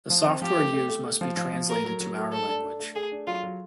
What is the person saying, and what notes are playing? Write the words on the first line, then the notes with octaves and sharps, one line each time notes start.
The software used must be translated to our language.
F3
C4
F3 G4
A3
A3
A3
A3
F3
F3
F3
A3 A#4
F#3
F#3
A3
A3 A4
D4
D4
A3
A3 G#4
D4
F#3 F4
F#3